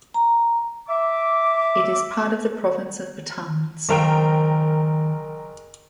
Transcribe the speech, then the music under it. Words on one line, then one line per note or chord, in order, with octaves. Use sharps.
It is part of the province of Batanes.
A#5
E5 D6
F#1 D#3 A#4 C5 F5 G5